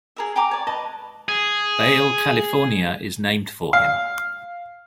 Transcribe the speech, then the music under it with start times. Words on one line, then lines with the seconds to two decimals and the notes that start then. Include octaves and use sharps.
Bale, California is named for him.
0.16 G#4 A#4 E5
0.36 G5 G#5 A#5 D6
0.51 C#5 D5
0.67 B4 D#5 A5
1.28 G#4
3.73 F5